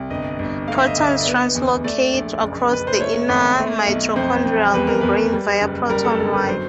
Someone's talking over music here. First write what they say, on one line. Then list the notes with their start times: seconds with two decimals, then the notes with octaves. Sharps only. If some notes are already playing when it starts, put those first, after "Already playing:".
Protons translocate across the inner mitochondrial membrane via proton wire.
Already playing: C2
0.10 G1 D#5
0.39 G1
0.68 A3 F5
0.78 E5
0.87 D#5
0.97 D2 E5
1.21 D5
1.26 B3 D#5
1.55 E2
1.84 A3 D5
2.13 A#1
2.42 F#1
2.71 F#1 B4
2.87 C5
3.00 A3 C#5
3.29 G#1
3.59 A3
3.87 B1
4.16 F2 C5
4.45 F2
4.74 E2 B4
4.87 A#4
5.01 E2 B4
5.32 G3
5.61 F#1
5.90 G3 A#4
6.04 A4
6.19 G1 A4
6.33 B4
6.48 F#3 C5